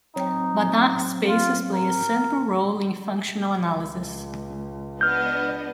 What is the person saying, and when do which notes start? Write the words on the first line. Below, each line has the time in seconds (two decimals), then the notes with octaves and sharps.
Banach spaces play a central role in functional analysis.
0.16 F#3 C4 D#4
1.28 F4
1.74 A#4
3.74 C#2
5.01 B3 D4 D#5 F6 G6